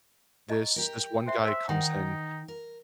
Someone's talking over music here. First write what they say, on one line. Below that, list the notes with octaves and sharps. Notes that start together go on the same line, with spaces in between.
this this one guy comes in
D#5 A#5 C#6
G4 A#4
C5 E5 C6
C5 C#5 E5 C6
D#3 D#4 F#5 G5 A#5
A#4